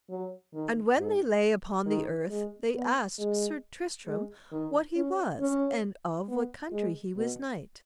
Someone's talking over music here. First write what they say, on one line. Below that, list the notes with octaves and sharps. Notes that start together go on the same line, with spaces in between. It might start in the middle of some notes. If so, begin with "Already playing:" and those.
And when they lay upon the earth they asked Sir Tristram what he was, and of what country he was knight.
F#3
D#3
G#2
D#3
G#3
B3
G#3
G#3
D#3
C#4
C#4
B3
G#3
B2